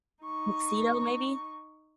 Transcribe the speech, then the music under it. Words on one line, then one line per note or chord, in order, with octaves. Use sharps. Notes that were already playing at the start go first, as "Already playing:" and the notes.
Tuxedo, maybe?
D#4 C#6